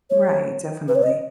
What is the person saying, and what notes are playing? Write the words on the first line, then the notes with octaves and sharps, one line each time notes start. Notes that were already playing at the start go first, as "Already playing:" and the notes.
Right, definitely,
C#5
B4
C#5
D#5